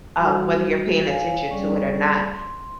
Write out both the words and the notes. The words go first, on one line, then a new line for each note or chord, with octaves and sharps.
um, whether you're paying attention to it or not.
G3 F#4 C5
C#5 F5 G#5
G3 C#4 G#4 D5
C6